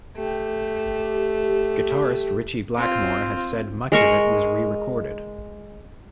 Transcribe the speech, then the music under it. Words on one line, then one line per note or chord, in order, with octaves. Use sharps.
Guitarist Ritchie Blackmore has said much of it was re-recorded.
A3 G4
C4 F4
G#3 A#4 C#6